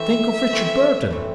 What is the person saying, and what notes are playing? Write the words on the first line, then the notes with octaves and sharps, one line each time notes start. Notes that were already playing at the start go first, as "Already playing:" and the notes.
Think of Richard Burton!
Already playing: E3 A3 C4 E5
E3 A3 C4
E3 A3 C4